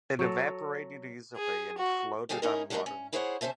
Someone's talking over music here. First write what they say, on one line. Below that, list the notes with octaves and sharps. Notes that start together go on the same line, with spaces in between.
It evaporated easily and floated on water.
F#3 A4
G#4
F#4
D2 G3 G#4 A4 F5
C#4 D#4 E4 A#4
G3 A3 D4 G4 A#4 D#5
C#4
E4 G#4 C5 C#5 D#5 F#5
C#3 C#4 C5 E5 A5